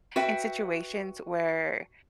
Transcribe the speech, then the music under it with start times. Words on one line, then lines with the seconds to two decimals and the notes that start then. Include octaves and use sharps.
in situations where
0.16 F#4 B4 E5 G5